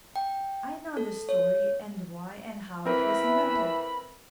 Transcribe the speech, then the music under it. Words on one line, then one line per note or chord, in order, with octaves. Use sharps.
I know the story and why and how it was invented.
G5
A4
C#5
E3 C4 A#4 B4 E5 B5